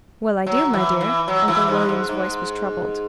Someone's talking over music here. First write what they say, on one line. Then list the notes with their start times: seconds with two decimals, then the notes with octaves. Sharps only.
"Well, I do, my dear." Uncle William's voice was troubled.
0.46 F#3
0.73 E3
1.01 E3
1.28 F#3
1.48 E3
1.68 G#2
1.89 G#2
2.09 G#2